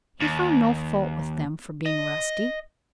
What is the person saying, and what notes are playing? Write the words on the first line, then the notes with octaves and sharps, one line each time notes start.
He found no fault with them for being rusty.
D#2
D#5